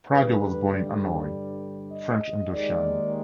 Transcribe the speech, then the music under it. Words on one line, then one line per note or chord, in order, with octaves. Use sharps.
Pradier was born in Hanoi, French Indochina.
G2 D3 G3 B4
D5
D#5
D#2 D#3 G#3 D5